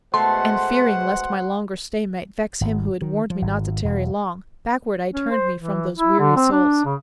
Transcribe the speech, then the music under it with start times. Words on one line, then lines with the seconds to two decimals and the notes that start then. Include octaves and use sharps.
And fearing lest my longer stay might vex Him who had warned me not to tarry long, Backward I turned me from those weary souls.
0.14 B2 G#3 A3 C5 F#5 C6
2.61 G#1
3.02 D#3
3.30 F3
3.42 G#1
3.85 E1
5.13 C#4
5.31 C5
5.58 E3
5.95 E4
6.19 D3
6.36 C4
6.52 D4
6.85 C#3